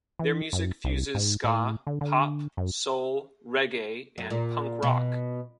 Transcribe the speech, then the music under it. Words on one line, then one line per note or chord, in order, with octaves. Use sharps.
Their music fuses ska, pop, soul, reggae and punk rock.
E3
F#2
C2
G#2
A2
D3
D3
F#2
F#2
A#2
B2